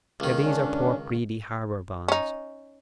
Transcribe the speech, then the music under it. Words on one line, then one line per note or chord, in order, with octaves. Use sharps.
Now these are Port Breedy Harbor bonds.
C#2 D#3
C#4 D4
C#4 D#4